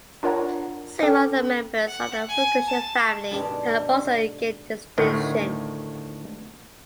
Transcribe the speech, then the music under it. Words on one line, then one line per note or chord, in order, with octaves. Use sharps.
Several other members of the Fergusson family have also gained distinction.
D4 F4 A#4 C#5 F#5 A#5
C#4 A4 G5 D6
F#5
G#5
A5
G2 B2 D#3 G#3 D4
D2 A2 D#3